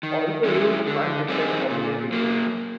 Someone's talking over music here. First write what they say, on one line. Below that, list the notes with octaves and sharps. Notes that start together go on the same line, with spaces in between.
Also used by different community groups.
D#3
G#3 C#4 E4
D3
G3 C4 D#4 G#4
A#2
F#3 A#3